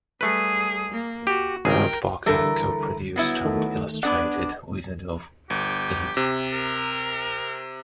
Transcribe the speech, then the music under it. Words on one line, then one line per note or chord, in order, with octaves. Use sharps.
Brant Parker co-produced and illustrated "Wizard of Id".
G3 A3 G#4 B4
A#3
F#4 G4
G#1 C#2 G#4 A#4 G5
D3 E3 G3 A4 A#4
F#3 B3 E4
D#3 A3
B3 D4 D5 F#5 G#6
G1 G4
C3
A#4